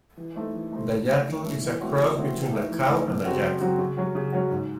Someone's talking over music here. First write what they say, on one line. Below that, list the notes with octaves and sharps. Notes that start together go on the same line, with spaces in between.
The yattle is a cross between a cow and a yak.
E3
A3 D#4 A4 C5
E3
A3 D#4 A4 C5
D#3
A3 C#4
D#3
A3 C#4
E3
A3 C4 F#4 C#5
E3
A3 C4 F#4 C#5
E3
A3 D#4
E3
A3 D#4
F#2
C#3 F#3 C4 F#4
F#2
C#3 F#3 C4 F#4
C#3
F#3 C#4 F#4
C#3
F#3 C#4 F#4
G#2